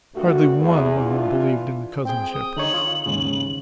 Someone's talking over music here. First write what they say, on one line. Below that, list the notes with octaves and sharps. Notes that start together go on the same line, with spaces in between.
Hardly one among them believed in the cousinship.
G2 A#2 A3 F#4
E2
E3 D4 F4
C4 G#4 G5
D#6
D3 D#4 C#5 F#7
F4
D#2 G#2 C#3